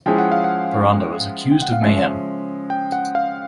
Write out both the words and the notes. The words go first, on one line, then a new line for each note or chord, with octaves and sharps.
Boronda was accused of mayhem.
F3 G#3 C#4 E4 G#4 G5
F#5
F5
F#5
G5
F#5
F5
C#3 F3 G#3 C#4 E5
G5
F#5
F5